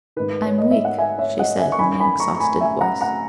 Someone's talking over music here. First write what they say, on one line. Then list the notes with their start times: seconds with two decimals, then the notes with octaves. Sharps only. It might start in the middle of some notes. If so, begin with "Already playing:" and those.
"I'm weak...." she said in an exhausted voice.
0.16 G#2 D#3 B4
0.46 C#5
0.58 D#5
0.71 E5
0.85 F#5
0.98 E5 G#5
1.18 C#5 E5
1.38 D#5 F#5
1.59 E5 G#5
1.72 C#6
1.79 F#2 D#3 G#5 B5
2.00 G#5 B5
2.20 A#5 C#6
2.35 C#6
2.40 G#5 B5
2.61 E5 G#5
2.81 F#5 A#5
3.01 F#5 A#5